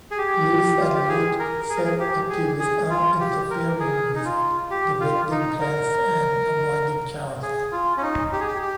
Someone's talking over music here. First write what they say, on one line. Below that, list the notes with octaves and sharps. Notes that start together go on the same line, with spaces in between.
Reese and Root save Maggie without interfering with the wedding plans and avoiding chaos.
G#4
G4
F4
G4
G#4
A#4
G#4
A#4
G#4
G4
G#4
G#4
F4
G4
A#4
G#4
D#4
F4
G4
F4
D#4
A#4
G#4
F4
C#4
D#4
G4
G#4
G4
G4